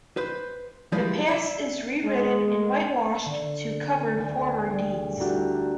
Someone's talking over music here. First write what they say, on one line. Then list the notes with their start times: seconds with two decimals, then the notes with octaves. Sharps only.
The past is rewritten and whitewashed to cover former deeds.
0.17 B4 C5
0.92 F3 G3 G#3 E4 B4 C5
1.29 D5 E5
2.04 G#3
3.26 D3
4.18 D2 G#5
4.70 G3 G#4
5.20 D4 E4 F#4 G4 A4 A#5